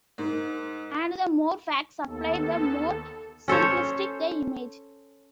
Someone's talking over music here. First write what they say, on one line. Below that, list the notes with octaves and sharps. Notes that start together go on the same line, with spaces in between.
And the more facts supplied, the more simplistic the image.
G#2 A#4
D#2 B3 A4
C#4 A4 C5 C#5